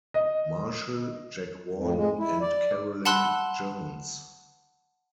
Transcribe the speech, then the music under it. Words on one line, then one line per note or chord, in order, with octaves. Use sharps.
Marshall, Jack Warden and Carolyn Jones.
D#5
F2
G#3
E4
D5
F#5 A5 B5 C6 E6 F#6